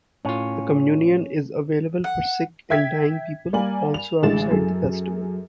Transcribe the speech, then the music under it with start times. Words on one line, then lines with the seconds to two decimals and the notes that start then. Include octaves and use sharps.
The communion is available for sick and dying people also outside the festival.
0.25 A2 C#4 F4
2.04 F#5
2.70 E5 G5 G#6 B6
3.53 G3 A#3 A#4 D5 G#5 F#7
3.94 F7
4.23 A1 D3 G#3 A6 E7
4.51 F#2 G#4 A4